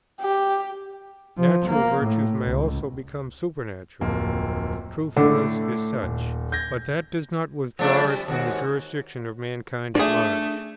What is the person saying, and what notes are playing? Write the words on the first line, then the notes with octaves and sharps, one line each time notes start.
Natural virtues may also become supernatural; Truthfulness is such; but that does not withdraw it from the jurisdiction of mankind at large.
G4
F3
A#3
A2
C#2
D1 F2 A#3
A2 D3 A3
D#1
G6 G#6 A#6
F3 A3 D4
G3
D#2 G#2 F#4
A3 D4 G#4 D5